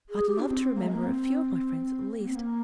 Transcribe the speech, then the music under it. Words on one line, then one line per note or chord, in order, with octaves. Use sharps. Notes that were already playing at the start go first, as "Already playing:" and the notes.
I'd love to remember a few of my friends at least.
G#4
G4
D4
C4
A#3
G#3
A#3
C4
A#3
C4
A#3